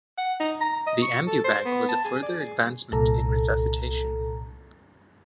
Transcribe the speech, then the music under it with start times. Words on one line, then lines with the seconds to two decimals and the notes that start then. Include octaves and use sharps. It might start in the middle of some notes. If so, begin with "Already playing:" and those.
The ambu-bag was a further advancement in resuscitation.
0.18 F#5
0.40 D#4
0.61 A#5
0.87 D#5
1.03 C#6
1.27 A4
1.44 C5
1.65 B3
1.89 A5
2.04 G#4
2.23 D5
2.40 G#4
2.92 C2 A#2 A4 A#5